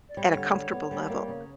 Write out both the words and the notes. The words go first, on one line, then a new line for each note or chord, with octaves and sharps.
at a comfortable level.
D5
G3 C#5
D3
G3
B3
G3
A#3
C#3